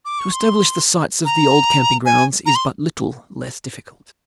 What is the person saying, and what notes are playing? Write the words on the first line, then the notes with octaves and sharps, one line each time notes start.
To establish the sites of the old camping grounds is but little less difficult.
D6
C#6
C6
A#5
G#5
A#5
C6